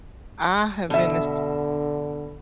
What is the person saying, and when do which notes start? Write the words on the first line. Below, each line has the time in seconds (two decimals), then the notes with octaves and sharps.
I have been this
0.90 B2 D3 E5